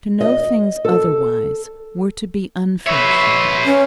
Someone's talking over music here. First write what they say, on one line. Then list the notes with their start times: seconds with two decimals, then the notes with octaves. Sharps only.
To know things otherwise were to be unfashionable.
0.21 D#5
0.85 A4
2.87 B4 C#5 E5
3.66 C#4